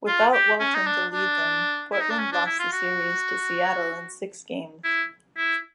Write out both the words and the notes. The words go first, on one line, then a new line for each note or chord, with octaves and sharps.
Without Walton to lead them, Portland lost the series to Seattle in six games.
F4
G4
C#4
D#4
D4
D4
E4
D#4
D4
C#4
D4
E4
F4
F#4
E4
E4